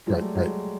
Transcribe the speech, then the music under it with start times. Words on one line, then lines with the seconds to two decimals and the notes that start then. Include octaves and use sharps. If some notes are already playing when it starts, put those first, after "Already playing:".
Right, right.
0.07 F#3 G#3
0.21 G3 A3
0.35 F#3 G#3